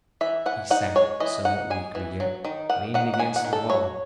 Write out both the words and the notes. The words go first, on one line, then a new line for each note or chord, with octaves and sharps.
He sat, somewhat weakly yet, leaning against the wall.
E3 E5
E3 F#5
D#4 F#5
G#3 C#5
E3 D#5
D#4 F#5
G#3 G#5
E3
F#3
D#3
D#3 F#5
D#3 F#5
F#5
D#3 G#5
F#5
D#3
A4
F#3 C#5